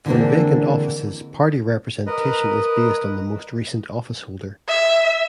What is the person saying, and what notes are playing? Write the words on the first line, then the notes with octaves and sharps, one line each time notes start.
For vacant offices, party representation is based on the most recent officeholder.
D3 E3 G#3 A#3 C4 D4
A#4 B4 D#5
E5